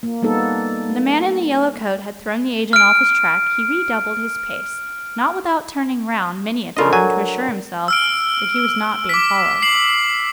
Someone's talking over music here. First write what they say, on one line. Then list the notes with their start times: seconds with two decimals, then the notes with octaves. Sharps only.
When the man in the yellow coat had thrown the agent off his track, he redoubled his pace, not without turning round many a time to assure himself that he was not being followed.
0.03 A#3
0.22 G3 A#3 B3 D#4 A4
2.73 F6 D7
6.77 C#3 D4 F4 A4 A#4 D#5
6.93 F#3 G#5
7.88 E6 F6 D7
9.09 D6 B6
9.62 C7 F#7